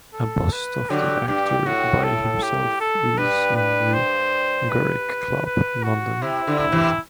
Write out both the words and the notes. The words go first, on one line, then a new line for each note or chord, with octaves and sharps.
A bust of the actor by himself is in the Garrick Club, London.
A4
B4
D3 F#3 G4
G2 G4
A2 F#4
A4
G4
A4
G2 B4
B4
C5
B4
B4
F#4
C3 E4
D3
E4
C3 E3